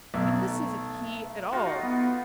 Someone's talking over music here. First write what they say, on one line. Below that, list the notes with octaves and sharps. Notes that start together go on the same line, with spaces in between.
And this isn't he at all!
B1 A3
D#4 F4 F#4
B3